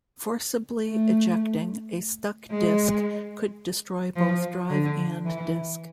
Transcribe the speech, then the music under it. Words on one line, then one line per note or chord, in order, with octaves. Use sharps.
Forcibly ejecting a stuck disk could destroy both drive and disk.
A3
G#3
F3
D3
E3